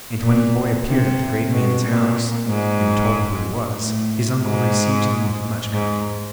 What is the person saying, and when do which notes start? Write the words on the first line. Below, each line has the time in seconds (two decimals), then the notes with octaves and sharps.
And when the boy appeared at the great man's house and told who he was, his uncle received him with much kindness.
0.21 A#2
0.86 C3
1.51 B2
1.83 A#2
2.47 G#2
3.77 A2
4.41 G#2
5.71 G#2